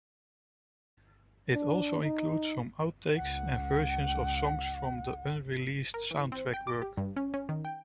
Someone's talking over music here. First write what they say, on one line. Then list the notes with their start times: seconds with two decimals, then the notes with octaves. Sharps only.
It also includes some outtakes and versions of songs from then unreleased soundtrack work.
1.54 D4
2.02 D#4
3.16 C#2 F#5
5.94 A#4
6.11 E3
6.32 C4
6.54 G5
6.67 D6
6.82 G4
6.97 G2
7.16 C#4
7.34 C#4
7.49 D#3
7.65 G5